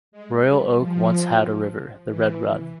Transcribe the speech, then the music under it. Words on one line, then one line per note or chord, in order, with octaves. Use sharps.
Royal Oak once had a river, the Red Run.
G#3
G3
F3
E3